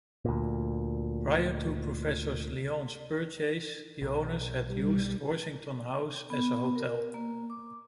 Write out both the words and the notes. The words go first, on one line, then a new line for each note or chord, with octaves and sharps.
Prior to Professor Lyon's purchase, the owners had used Horsington House as a hotel.
D2 A#2
B1
G3
B3
A#4
A#3
D6